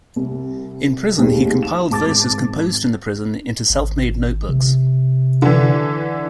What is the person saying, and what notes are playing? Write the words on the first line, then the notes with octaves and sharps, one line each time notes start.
In prison, he compiled verses composed in the prison into self-made notebooks.
C2
D#2 A2 G3 G#3 C4 D#4
E7
G#1 A5 D6 A6
G#1
C3
D3 E3